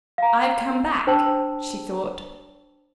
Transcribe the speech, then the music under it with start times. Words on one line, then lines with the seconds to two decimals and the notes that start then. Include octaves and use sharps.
"I have come back," she thought.
0.18 F5 A#5
1.07 D4 C5 G5 A5 E6 F#7